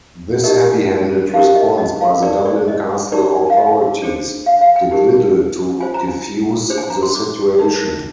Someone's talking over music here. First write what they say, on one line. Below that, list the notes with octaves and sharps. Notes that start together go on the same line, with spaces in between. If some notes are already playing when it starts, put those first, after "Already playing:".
This heavy-handed response by the Dublin Castle authorities did little to defuse the situation.
D#4 G4 A#4 D#5
D#4 G4 A#4 F5
D#5
D#5
F5
D#4 A#4 D5
D5
D#5
D#4 G4 A#4 D5
F5
D#5
D4 G#4 C5
F5
F5
G5
D#4 G4 A#4
F4 C5 G#5
A#5
G#5
D4 G#4 C5
G#5
A#5
C6
D6
D#4 A#4